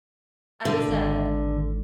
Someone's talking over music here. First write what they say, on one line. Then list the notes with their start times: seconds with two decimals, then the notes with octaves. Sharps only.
I was, uh
0.65 B2 D3
0.88 G#1